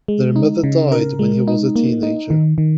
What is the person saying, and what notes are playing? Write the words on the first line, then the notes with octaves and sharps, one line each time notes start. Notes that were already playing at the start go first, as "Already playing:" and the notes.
Their mother died when he was a teenager.
G#3
D#4
C#3
A#4
G#3
D#4
A#3
D#4
D#3
D#3